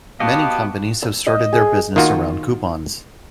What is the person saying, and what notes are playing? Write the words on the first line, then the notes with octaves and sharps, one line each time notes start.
Many companies have started their business around coupons.
B3 F#4 G4 D#5 F5 A5
E6
D#5
G#4
D#3 A#3 F4 F#4